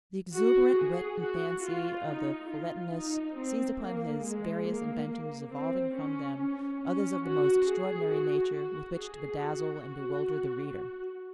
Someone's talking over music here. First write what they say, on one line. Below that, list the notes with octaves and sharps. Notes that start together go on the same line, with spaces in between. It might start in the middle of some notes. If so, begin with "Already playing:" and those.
The exuberant wit and fancy of the feuilletonists seized upon his various inventions evolving from them others of the most extraordinary nature with which to bedazzle and bewilder the reader.
F#4
G#4
F#4
F4
D#4
F4
D#4
C4
A#3
G#3
A#3
A#3
C4
C#4
C#4
C#4
F#4
G#4
F#4
F#4
G#4
F#4
F#4